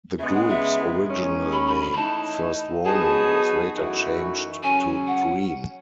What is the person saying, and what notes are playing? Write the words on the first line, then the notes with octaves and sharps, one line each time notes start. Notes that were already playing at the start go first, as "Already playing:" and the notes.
The group's original name, First Warning, was later changed to Dream.
C#3 G#3 B3 E5
F#5
E5
D#3 G#3 C#4
B5
B5
B5
B5
E3 A3 D#4 A5
F#3 B3 D#4 G#4 A5
F#2 E3 A3 D#4 F#4
C#3 F#3 C#4 G#5
F#5